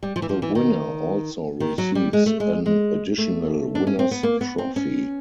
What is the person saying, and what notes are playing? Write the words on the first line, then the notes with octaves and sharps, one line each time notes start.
The winner also receives an additional winner's trophy.
G3
F3
E3
F3
E3
D#3
D#3
F#3
G3
G#3
A3
G#3
G#3
A3
D4
C#4
C4
B3
A#3
B3
C4
C#4